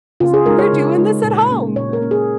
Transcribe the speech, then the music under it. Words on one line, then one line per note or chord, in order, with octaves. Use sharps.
he was like "We're doing this at home."
C#3 F4
G#4
G#3 D#4 A#4
C#5
C#3
G#3 D#4
A#2
A#3 C#4
A#2 C#5
A#4
A#3 C#4
G#4